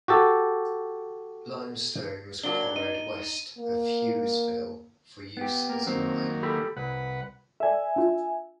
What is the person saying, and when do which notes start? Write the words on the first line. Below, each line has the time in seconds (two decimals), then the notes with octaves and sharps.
Limestone was quarried west of Hughesville for use as lime.
0.08 F#4 G4 A4
2.43 F#3 A#3 D4 G7
2.76 D#4 D#7
3.58 A#3
5.37 B3 G4
5.69 A#3
5.87 D#3 F#3 A#3 C4
6.43 G4 A4 B5
6.76 C2 B4 F#5
7.60 A4 D5 E5 G#5
7.96 D4 F4